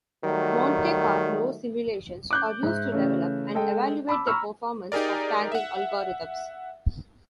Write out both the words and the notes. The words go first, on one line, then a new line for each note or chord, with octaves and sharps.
Monte Carlo simulations are used to develop and evaluate the performance of tagging algorithms.
D#3 F#3 G3 A3
D6 F#6 G6
G#2 E5
C#3 E3 A3 C#4
G#3 A4 D#5 G5
A5 B5 D6 E6
A#5 B5 C#6 E6 F6
D#4 G4 G#4 A#4 D5
E5 F#5